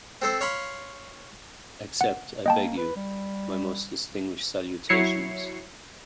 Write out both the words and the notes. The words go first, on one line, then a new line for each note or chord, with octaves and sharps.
Accept, I beg you, my most distinguished salutations.
C4 A4 C5
C#5 F5 B5 C6
F#5
A#3 D#5 G5 A5
B4
G3
F#3 E4 C#5 C7 C#7